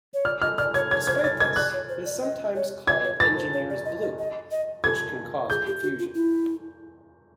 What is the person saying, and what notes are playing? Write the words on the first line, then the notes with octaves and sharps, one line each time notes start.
Despite this, it is sometimes called engineer's blue, which can cause confusion.
C#5
D5 F6
D#5 F6
D5 F6
C#5 G#6
C#5 G#6
C5 G#6
D5
C#5 A6
D#5 G#6
D5 F#6
C#5
C5
D5
D#5
C#5
D5 G#6
C#5
B4 A6
C5
C#5
D5
D#5
D#5
D#5
D#5
A4 G#6
G#4 G6
G4
F#4
F4
E4